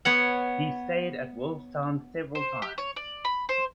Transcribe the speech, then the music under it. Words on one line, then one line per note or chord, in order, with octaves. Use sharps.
He stayed at Willstown several times.
B3 C#5 F#5
C5
G4
C#5
D5
B5
C5